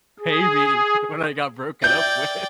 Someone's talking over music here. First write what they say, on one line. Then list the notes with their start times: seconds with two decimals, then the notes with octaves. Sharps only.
pay me when I got broken up with.
0.20 G#4
1.83 D5 E5 G5 G6